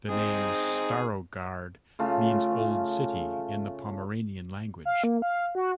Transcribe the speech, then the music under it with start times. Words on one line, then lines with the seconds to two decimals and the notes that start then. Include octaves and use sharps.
The name "Starogard" means "old city" in the Pomeranian language.
0.09 C4 D#4 G#4
1.99 C#3 A3 F4
4.85 F5
5.04 A#3
5.22 F5
5.55 F#4